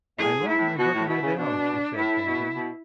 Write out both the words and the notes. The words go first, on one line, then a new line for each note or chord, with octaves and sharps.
"I left my book in the dell," she said, panting.
A2 G#4
G#2
E4
A2
B2 F#4
A2
B2 E4
C#3
B2 D4
A2 E4
B2
B2